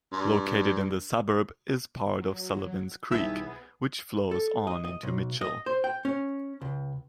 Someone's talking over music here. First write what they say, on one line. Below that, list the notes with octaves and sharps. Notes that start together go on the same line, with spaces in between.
Located in the suburb is part of Sullivans Creek, which flows on into Mitchell.
G2
F#3
B1 G2 D#3 B3 E4 G#4 E5
A4
D#5
D#5
B1
D#5
C5
G5
C#4
C#2